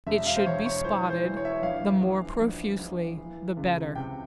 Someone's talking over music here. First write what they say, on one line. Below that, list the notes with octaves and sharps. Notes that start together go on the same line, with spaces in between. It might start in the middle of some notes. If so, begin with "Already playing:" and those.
It should be spotted, the more profusely the better.
E1 E5
F5
C5
E2 C#5
C#5
E3 C5
C5
E3
C#5
E5
C#5
A#1 F5
A#1
A#1
A#1
E3
C#2
C3 G5